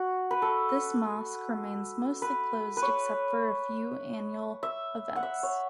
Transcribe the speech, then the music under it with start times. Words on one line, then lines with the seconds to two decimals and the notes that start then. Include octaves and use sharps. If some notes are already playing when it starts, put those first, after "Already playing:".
This mosque remains mostly closed except for a few annual events.
Already playing: F#4
0.31 B4
0.42 A4
2.22 B4
2.77 B4
2.82 C#5
4.63 E5
5.16 F#5
5.23 E5
5.43 C#5